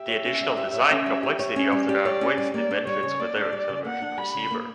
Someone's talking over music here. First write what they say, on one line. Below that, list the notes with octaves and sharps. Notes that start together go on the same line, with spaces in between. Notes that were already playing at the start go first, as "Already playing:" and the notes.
The additional design complexity often outweighs the benefits of a direct-conversion receiver.
Already playing: G4 E5
C#5
C#4
G3
G4
C#5
C#4
G3
G4
C#5
C#4
G3
G4 D5
C#5
C#4
G3
A#3 D5
D4
G3 C#5
C#3
A#3 D5
D4
G3
C#3
A#3 F#5
D4
G3 B5
C#3
A#3